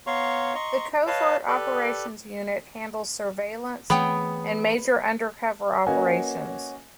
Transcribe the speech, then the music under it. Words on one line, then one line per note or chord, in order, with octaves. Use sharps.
The Covert Operations Unit handles surveillance and major undercover operations.
B3 C#5 F5 A#5 C6 C#6
D#5 A#5 C6 C#6
B4 C#5 D#5 F5 A5
G4 A4 B4 D5
E3 A3 B3 C4 G#4 C#5 G5 B5
A#3 C#4 F#4 B4 D#5 G#5